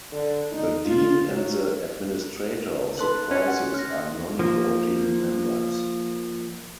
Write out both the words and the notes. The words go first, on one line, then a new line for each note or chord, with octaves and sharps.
The dean and the administrator of the prizes are non-voting members.
D3
D#4
F4
F#3
D#4 A4 B4 C6 F#6 F#7
C#4 G#6 A6 C#7
F#4 F#5
F6 A#6
F3 A#3